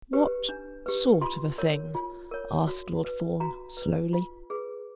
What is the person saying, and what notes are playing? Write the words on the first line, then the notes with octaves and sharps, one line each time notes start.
"What sort of a thing?" asked Lord Fawn slowly.
G4 B4
D4
G4 B4
F4 C6
A#4 C#5
F4
A#4 C#5
F#4
B4
F#4 A#5
B4
F4
G#4 B4